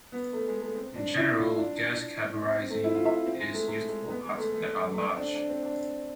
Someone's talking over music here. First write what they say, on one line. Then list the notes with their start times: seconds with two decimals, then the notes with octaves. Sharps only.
In general, gas carburizing is used for parts that are large.
0.12 B3
0.33 A3
0.47 G#3
0.61 A3
0.75 C4
0.95 D4
1.17 E4
1.38 F4
1.59 D4
2.42 C4
2.56 C4
2.70 A3
2.84 E4
2.95 F4
3.05 E5
3.15 F4
3.26 C4
3.40 G#3
3.54 A3
3.68 A3
3.89 G#3
4.10 B3
4.24 G#3
4.38 A3
4.52 A3
4.94 A3
5.08 C4
5.16 D4
5.21 C4
5.35 D4
5.49 C4
5.63 D4